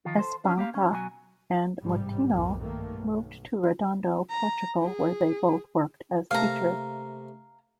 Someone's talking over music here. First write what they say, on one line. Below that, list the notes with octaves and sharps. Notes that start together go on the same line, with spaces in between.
Espanca and Moutinho moved to Redondo, Portugal, where they both worked as teachers.
D#3 F3 F4
A4 C5
C#4 D4
A#3 G4 F5
C#4
B2 F#3 F#4 G#5
A1 G#2 C3 G3
B1 F2 G#2 E3 A#3
G2 D#3 A3 A#3
B1
A#5
G#4
C3 A3 A#3 F5 A#5